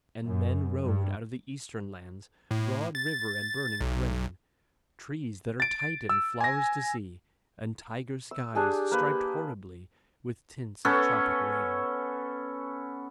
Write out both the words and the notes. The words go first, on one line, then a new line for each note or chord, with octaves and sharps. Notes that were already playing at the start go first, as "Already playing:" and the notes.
And men rode out of the eastern lands, Broad river and burning plain; Trees that are Titan flowers to see, And tiger skies, striped horribly, With tints of tropic rain.
F#2
G2
A2
A6
B1
A6 D7
E6
G#5 A#6
E6
D4 G4 G#4 G#5
A#3 B4
B3 C#4 A4 C#5